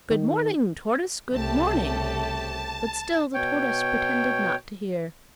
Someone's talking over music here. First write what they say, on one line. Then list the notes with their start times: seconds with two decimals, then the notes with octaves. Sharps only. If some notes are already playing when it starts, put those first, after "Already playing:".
'Good morning, tortoise; good morning.' But still the tortoise pretended not to hear.
0.10 D#3
1.32 C2 C#3 A3 G4 A5
3.34 B2 C#5 G5